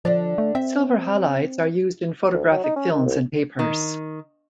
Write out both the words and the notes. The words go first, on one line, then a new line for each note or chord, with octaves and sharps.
Silver halides are used in photographic films and papers.
D3 F3 D4 D5
A3
C4 E5
D2
F#3
D#4
C#4
D#3
C2
D#3